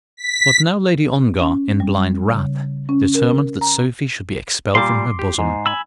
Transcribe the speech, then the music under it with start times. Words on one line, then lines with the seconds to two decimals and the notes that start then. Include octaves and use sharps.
But now Lady Ongar, in blind wrath, determined that Sophie should be expelled from her bosom.
0.17 B6
1.40 C#4
1.80 G3
2.32 C#3
2.89 C#4
3.15 A#4
3.61 A#5
4.75 A#2 G3 C6 D6
5.19 G4
5.39 G#2
5.66 G#5 B5 E6